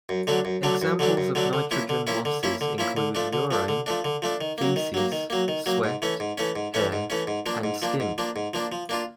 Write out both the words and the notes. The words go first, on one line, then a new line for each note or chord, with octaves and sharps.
Examples of nitrogen losses include urine, feces, sweat, hair, and skin.
F#2
D3 F#3 A3 D4
F#2
D3 F#3 A3 D4
F#2
D3 F#3 A3 D4
F#2
D3 F#3 A3 D4
D3
F3 A#3 C#4 E4
D3
F3 A#3 C#4 E4
D3
F3 A#3 C#4 E4
D3
F3 A#3 C#4 E4
D3
F3 A3 D4
D3
F3 A3 D4
D3
F3 A3 D4
D3
F3 A3 D4
D#3
F#3 A#3
D#3
F#3 A#3
D#3
F#3 A#3
D#3
F#3 A#3
G#2
E3 A3 C#4
G#2
E3 A3 C#4
G#2
E3 A3 C#4
G#2
E3 A3 C#4
G#2
F3 A#3 D4
G#2
F3 A#3 D4
G#2
F3 A#3 D4
G#2
F3 A#3 D4
F3
A#3 D4 F4